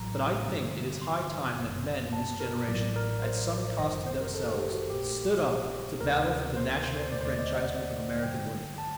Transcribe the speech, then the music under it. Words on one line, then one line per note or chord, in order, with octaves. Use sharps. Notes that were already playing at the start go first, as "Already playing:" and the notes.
But I think it is high time that men in this generation, at some cost to themselves, stood up to battle for the national enfranchisement of American women.
Already playing: A1 A2 F#3 A#5
G2 D3 G3
C6
G1 F#2 D#3 G3
A5
A#4
A1 A2 F#3 D5
A#4
C5
G1 F#2 D#3 G3 D#5
C5
A#4
A4
A4
G4
F#4
A#1 A#2 A3 G4
C5
D2 C3 D#3 A#4
C5
C5
D#2 D3 A3 D5
C5
D5
D#5
F#5
G2 D3 G3 G5
A5